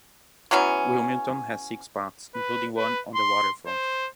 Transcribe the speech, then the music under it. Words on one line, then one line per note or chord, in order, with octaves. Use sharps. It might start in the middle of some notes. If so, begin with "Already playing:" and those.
Wilmington has six parks, including one on the waterfront.
E3 F#3 B3 C#4
B4
B4
C6
C5